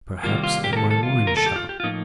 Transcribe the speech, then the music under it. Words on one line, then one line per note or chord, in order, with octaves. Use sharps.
"Perhaps at my wine-shop?"
C3 D#3 G3 A#3 F4
F4
G4
A#4
A4
A4
F4
A#4
A4
G4
F4
G4
A2 F3 A#3 D#4 F4